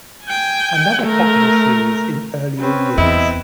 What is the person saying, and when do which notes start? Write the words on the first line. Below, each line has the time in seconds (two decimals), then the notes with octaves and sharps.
Another popular series in earlier years.
0.25 G5 G#5
1.01 A3 A#4
2.59 C4 C#4 B4
2.98 E2 E4 D#5